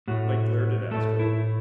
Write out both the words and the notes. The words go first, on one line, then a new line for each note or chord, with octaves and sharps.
Mike glared at Astro.
A2 A3 F#4
A2 A3 A4
E4